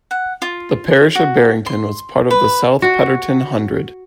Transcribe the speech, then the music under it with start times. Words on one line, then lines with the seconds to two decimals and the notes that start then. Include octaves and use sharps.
The parish of Barrington was part of the South Petherton Hundred.
0.11 F#5
0.42 F4
1.15 F#4
1.66 C6
2.30 B4
2.82 F#4